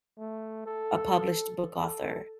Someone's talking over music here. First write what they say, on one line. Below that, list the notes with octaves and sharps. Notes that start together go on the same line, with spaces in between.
a published book author.
A3
A4
A4